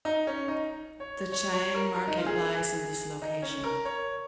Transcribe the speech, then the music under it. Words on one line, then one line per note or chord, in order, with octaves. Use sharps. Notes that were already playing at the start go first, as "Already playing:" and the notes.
The Chang'an Market lies in this location.
D#4
C#4
D#4
C#5
C#5
C#5
A#4
A#4
D#4
F4
G#4
D#4
C#4
A#4
C#5